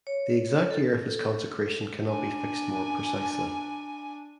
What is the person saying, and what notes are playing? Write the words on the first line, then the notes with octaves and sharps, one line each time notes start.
The exact year of his consecration cannot be fixed more precisely.
C#5
A4
D4 G#5